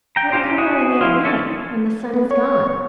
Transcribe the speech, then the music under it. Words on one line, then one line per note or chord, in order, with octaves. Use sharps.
What colour are they at night, when the sun is gone?
G5 A#5
C#4 D4 F4 G4 C5
C#4
F#4 G#4 C#5 D#5 F#5
F3 E4 F4
C#4 A4 C#5 G#5 A5
B3
C#5